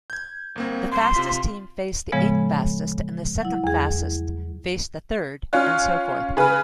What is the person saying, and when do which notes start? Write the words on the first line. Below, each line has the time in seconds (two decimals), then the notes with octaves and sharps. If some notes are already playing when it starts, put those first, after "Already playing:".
The fastest team faced the eighth-fastest, the second-fastest faced the third, and so forth.
0.10 G6 G#6
0.56 G1 A#3 C4
0.92 C2 C6
1.14 C3 F4 B6
2.12 A2 C#3 F3 G#3 B3
3.42 F#3 E4
3.64 E2 G#4
5.53 C#4 F4 F6 F#6
6.37 C#3 B4 G#5 B5 F6